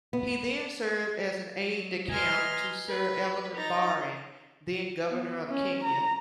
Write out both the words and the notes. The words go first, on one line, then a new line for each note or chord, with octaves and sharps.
He then served as an "aide-de-camp" to Sir Evelyn Baring, then Governor of Kenya.
B3
F#3
B4 D#5 G#5 A#5 C6 F6
B4
D#4 A#5 A6
B3
C#4
A#5